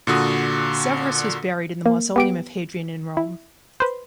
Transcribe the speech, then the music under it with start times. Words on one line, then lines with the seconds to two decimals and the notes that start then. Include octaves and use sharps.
Severus was buried in the Mausoleum of Hadrian in Rome.
0.07 A#2 D3 F#4 D#6
1.86 A#3
2.16 B3 G4 D7
3.17 E4
3.80 B4 C5